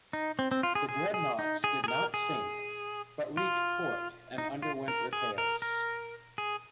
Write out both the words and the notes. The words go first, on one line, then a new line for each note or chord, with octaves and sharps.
The dreadnoughts did not sink, but reached port and underwent repairs.
D#4
C4
C4
F4
G#4
G#4
G#4
D#4
G#4
G#4
A#4
G#4
F4
D#4
F4
A#4
G#4
A#4
A#4
G#4